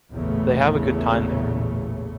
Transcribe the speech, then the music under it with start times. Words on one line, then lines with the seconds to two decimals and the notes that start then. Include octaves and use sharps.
They have a good time there.
0.12 A1 E2 A#2 C#3 A3